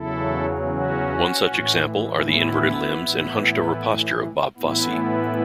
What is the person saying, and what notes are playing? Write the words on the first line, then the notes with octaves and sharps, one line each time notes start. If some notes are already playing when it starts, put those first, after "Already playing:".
One such example are the inverted limbs and hunched-over posture of Bob Fosse.
Already playing: E2 C#3 F#3 E4 A4
C#4 F#4
A2 E3
B3 E4
A2 E3
A2 E3 B3 E4